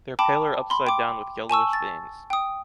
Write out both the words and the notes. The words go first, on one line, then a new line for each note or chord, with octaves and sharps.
They're paler upside down with yellowish veins.
G5 A5 B5 D6
B5 C6
G5 D6
G#5 A5 C#6 E6
A6
G5 D#6